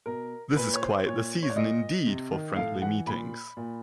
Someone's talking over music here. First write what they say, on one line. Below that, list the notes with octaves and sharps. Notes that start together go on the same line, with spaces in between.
This is quite the season indeed for friendly meetings.
B2 A#4
A#2 B4
C#5
C5
A#2 C#5
C#5
D5
A#2 D#5
C3
D#3
A2 F5
E3 F#5
A#2 B5
A#2